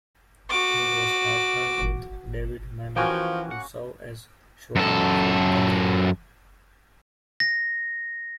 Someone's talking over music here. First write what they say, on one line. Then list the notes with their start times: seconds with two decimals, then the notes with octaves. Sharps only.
He was partnered with David Mamet to serve as showrunner for "The Unit".
0.50 F#4 D6
2.96 E3 F3 A#3 C#4 F#4 G5 G#5
3.51 F#5
4.76 F#2 A4
7.40 A#6